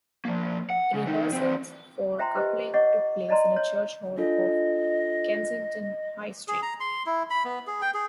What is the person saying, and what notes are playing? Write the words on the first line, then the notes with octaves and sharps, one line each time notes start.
Rehearsals for "Coupling" took place in a church hall off Kensington High Street.
F3 A#3
F#5
C#3
E3 D#4
E3 C4
F4 C5 E5 G5 A#5 C6
G4 B4 C5 D#5
C#5 D#5 F#5 C#6 D6
D5 D#5 A5 A#5 C6
C#5
D4 F4 A4 D#5
G#4
A#5
C6
E4
B5
B3
G#4
G5
G#4